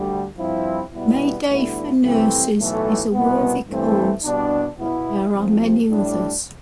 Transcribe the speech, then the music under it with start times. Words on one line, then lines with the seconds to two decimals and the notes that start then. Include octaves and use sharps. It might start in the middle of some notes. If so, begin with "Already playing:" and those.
Mayday for Nurses is a worthy cause, but there are many others.
Already playing: D2 D3 G3
0.37 G2 F3 C4 E4
0.92 B2 G3 B3 E4
1.48 D2 D3 G3 B3 E4
2.02 C2 C3 E3 A3 C4
2.57 B1 A2 E3 A3
3.13 C2 B2 B3
3.68 G2 E3 A3 C4
4.23 C2 B2 G3 D4
4.78 B2 B3 E4
5.33 C2 C3 F3
5.89 A2 G3 D4